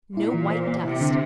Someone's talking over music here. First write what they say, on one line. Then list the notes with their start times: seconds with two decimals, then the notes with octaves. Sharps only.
No white dust.
0.17 A#2 E4
0.34 E3
0.50 C5
0.67 A#3
0.84 C3 E4
1.01 D3